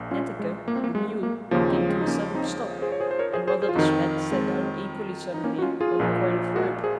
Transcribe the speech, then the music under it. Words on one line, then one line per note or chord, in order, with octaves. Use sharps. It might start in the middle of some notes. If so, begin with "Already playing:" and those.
Netteke, the mule, came to a sudden stop, and Mother De Smet sat down equally suddenly on a coil of rope.
Already playing: A#1 A#2
C#4 F4
G#3
A#3
C4
A#3
G#3
A#3
D#2 C#3 F3 A#3 C#4
C4 D#4
G#3 C4
D#4
A#3 C#4
C4 D#4
G#4 C5
C#5
G#4 C5
C5
A#4 C#5
G#4 C5
G#4 C5
G#4 C5
F4
F2 D#3 D#4 F#4
G#3 C4
D#4
A#3 C#4
F#4
C#4 F4
F4 G#4
A#1 A#2 F3
F#4 A#4
G#4 C5